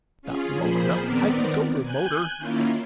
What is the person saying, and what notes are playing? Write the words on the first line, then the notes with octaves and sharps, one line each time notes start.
If not remote enough, I can go remoter.
C#4 F4 G#4
A#2 F3 A#3 G#4 C5 B5
D#3 B3 C4 A#4 D5
G#5 F#6 G6
D#3 A#3 C#4 E4 F4